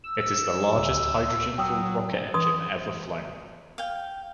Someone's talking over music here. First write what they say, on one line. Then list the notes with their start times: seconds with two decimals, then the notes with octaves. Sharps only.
It is the largest hydrogen-fueled rocket engine ever flown.
0.04 E6
0.20 E6
0.78 D2
1.58 F#3 G5 D#6 E6
2.34 E3 D#6
3.78 F5 G5